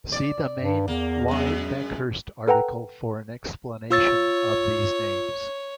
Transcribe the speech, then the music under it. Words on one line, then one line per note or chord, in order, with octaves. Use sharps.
See the main Y. Bhekhirst article for an explanation of these names.
D5
G2
E2 A#3
F#2 G#3
A4 B4 F#5 G5 A#5
F4 C#5 E6 A6